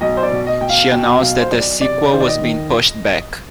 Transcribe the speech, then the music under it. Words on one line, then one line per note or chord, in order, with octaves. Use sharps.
She announced that the sequel was being pushed back.
B1 D#5
C5
D5
B2
D#5
B2 G5
F5
B2 G5
B1 F5
C5
B1 D5
C3 D5
D#3 C5
D5
D#5
D#3